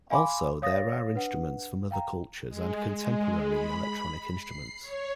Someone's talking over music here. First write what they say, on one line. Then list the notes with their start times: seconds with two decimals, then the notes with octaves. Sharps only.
Also, there are instruments from other cultures and contemporary electronic instruments.
0.10 F5 G#5 B5 C6 D6
0.62 C#5 F5 D#6 A6 A#6
1.14 D4 B4 F#5
1.91 F5 G5 A#5
2.47 G#3
2.96 G#3
3.47 B5
4.35 C7
4.81 C#5